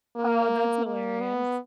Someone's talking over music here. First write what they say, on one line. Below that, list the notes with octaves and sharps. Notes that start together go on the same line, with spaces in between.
Oh, that's hilarious.
A#3
A#3
B3